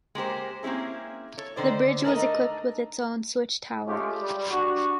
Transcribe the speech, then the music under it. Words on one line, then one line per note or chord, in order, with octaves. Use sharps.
The bridge was equipped with its own switch tower.
G#3 A#3 G4 C5
A#3 C4 C#4 E4 G#4
A4 C#5
D3 D#3 C5 D5
A3 D4 D#4 A4 A#4 D#5
G#3 A3 C#4 F4 G4
G3
D4 F#4